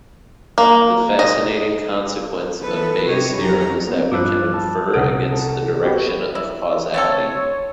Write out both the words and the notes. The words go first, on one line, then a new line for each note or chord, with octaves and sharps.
The fascinating consequence of Bayes' theorem is that we can infer against the direction of causality.
A#3
D#5
E3 B3 A4 B4
C3 G4 C#5 D#5
F2 F#3 C#4 G4 A#5
B3 C4
G2 F3 D6 E6 F#6
A5
C2 C#4 F#5 D#6 D7
A4
B3 F#4 G4
E4
A3 C4 A4 C#5